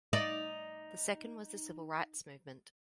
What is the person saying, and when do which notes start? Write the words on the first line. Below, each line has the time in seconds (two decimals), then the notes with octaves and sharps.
The second was the civil rights movement.
0.13 D#4 D5